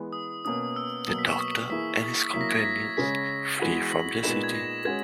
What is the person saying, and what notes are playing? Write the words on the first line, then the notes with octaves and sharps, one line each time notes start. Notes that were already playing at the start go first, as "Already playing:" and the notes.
The Doctor and his companions flee from the city.
Already playing: E3 G#3 B3
D#6
B2 A#3 C#4 D#6
E6
B2 F#3 A#3 D#6
B6
C#6
D#6
E3 A#3 E4 G#4 B6
B6
F#3 A#3 E4 B6
A#6
G#6
A#6
B6
C#3 G#3 C#4 G#4 B6
E3 G#3 B3 F#4
F#7
A#2 G#3 B3 D#4 E7
G#6
A#6
G#3 C#4 F#4 G#6